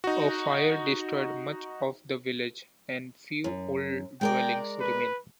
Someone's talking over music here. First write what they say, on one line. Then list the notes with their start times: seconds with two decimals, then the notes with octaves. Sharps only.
A fire destroyed much of the village, and few old dwellings remain.
0.04 D#4 F#4
3.44 F#2
4.21 G#3 A#4 D5 G5
4.80 B4